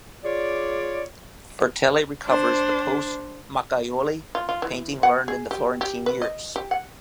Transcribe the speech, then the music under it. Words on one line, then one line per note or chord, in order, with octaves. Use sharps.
Bertelli recovers the post Macchiaioli painting learned in the Florentine years.
F4 G#4 C#5 D5
D4 C5
F4
F4
E3
F#5
G#4
G4
G4
B4
D#5
G4
F#5